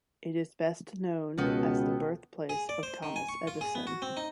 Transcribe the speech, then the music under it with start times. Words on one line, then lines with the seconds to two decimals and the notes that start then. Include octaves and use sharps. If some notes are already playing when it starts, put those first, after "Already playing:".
It is best known as the birthplace of Thomas Edison.
1.38 C#2 B2 D#3 B3 A4
2.49 G#4
2.69 D5
2.83 C5
3.03 D#3
3.16 G#5
3.29 C#6
3.47 F4
3.61 G#4
3.75 B3
3.87 F#4
4.02 C4
4.17 D#4